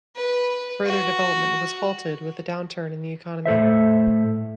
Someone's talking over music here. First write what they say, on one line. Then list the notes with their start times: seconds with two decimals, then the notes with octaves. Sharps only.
Further development was halted with the downturn in the economy.
0.16 B4
0.86 F#4
3.45 A2 A4 C5 E5